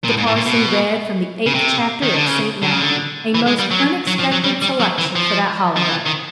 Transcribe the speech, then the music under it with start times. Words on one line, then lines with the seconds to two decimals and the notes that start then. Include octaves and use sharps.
The parson read from the eighth chapter of St. Matthew, a most unexpected selection for that holiday.
0.04 A#2
0.09 A2
0.18 G#2
0.27 A2
0.36 A#2
0.46 B2
1.46 C#3
1.54 C3
2.02 D#3
2.14 D3
2.26 C#3
2.62 D3
2.71 C#3
2.79 D3
3.35 E3
3.47 G#3
3.59 G3
3.71 F#3
4.07 F#3
4.19 F3
4.32 F#3
4.44 G3
4.62 G3
4.80 F#3
4.98 E3
5.16 F3
5.77 F3
5.89 E3
6.06 D#3